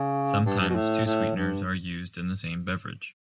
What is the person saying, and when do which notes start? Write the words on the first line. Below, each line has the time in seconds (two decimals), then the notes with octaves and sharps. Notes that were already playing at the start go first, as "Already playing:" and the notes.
Sometimes two sweeteners are used in the same beverage.
Already playing: C#3
0.45 G2
0.60 G2
0.70 B2
0.75 A2
1.06 A2
1.36 G2